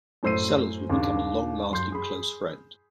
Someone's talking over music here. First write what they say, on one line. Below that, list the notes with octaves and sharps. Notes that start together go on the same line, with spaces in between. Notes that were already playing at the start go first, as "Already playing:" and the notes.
Sellers would become a long-lasting close friend.
F#2 A2 C5 E6 C7 D#7
D#2 C#3 D4
F#2 C6 G6
G#4 B5